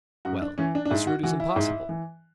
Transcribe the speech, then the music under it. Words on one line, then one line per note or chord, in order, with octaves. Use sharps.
"Well, this route is impossible."
F#2 F#4
D4
E3 C#4
D4
D4
G#2 E4
F#4
E3 F#4
E4
G#2
E3